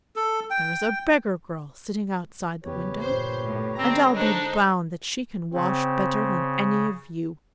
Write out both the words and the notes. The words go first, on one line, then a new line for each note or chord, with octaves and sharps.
There is a beggar-girl sitting outside the window, and I'll be bound that she can wash better than any of you!
A4
G5
E2 C#3 G4 B4 C#5
G1 A#2 C5
A2
D3 G#3 C4 A#5
D4 D#4 C5
C#3 C4